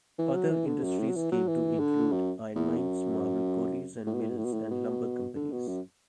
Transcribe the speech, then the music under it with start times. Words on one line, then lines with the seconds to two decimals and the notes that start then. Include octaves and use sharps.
Other industries came to include iron mines, marble quarries and mills, and lumber companies.
0.19 E3
0.34 F#3
0.51 E3
0.67 D3
0.83 F#2
0.99 A2
1.09 F#3
1.16 E3
1.32 F#3
1.48 E3
1.80 D3
2.12 F#2
2.56 E2
2.77 F#2
4.07 A2
4.14 B2
4.22 A2
4.30 B2
4.37 A2
4.45 B2
4.53 A2
4.71 B2
5.35 D3
5.52 B2
5.68 F#2